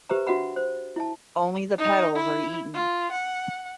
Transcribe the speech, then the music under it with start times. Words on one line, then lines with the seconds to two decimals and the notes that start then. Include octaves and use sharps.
Only the petals are eaten.
0.09 G4 B4 C5 E5 A#5
0.27 D4 F#4 E5 F#5 B5
0.56 C5
0.96 E4 E5 A5
1.78 D#4
2.15 E4
2.74 F4
3.12 F#5